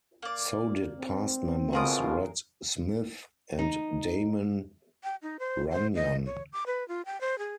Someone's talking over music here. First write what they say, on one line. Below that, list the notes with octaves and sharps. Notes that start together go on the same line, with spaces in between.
So did past members Red Smith and Damon Runyon.
A#3 D5
C4
A1 B2 F4 G#4 A#4 D#6
D#4
G5
D#4
C5
C5
D#5
C#5
D6
B4
F4
G5
C5
G#4